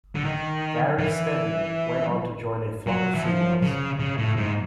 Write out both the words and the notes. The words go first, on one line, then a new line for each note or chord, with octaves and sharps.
Gary Steadman went on to join A Flock of Seagulls.
D3
D#3
E3
F#3
E3
F3
C#3
C#3
A2
G#2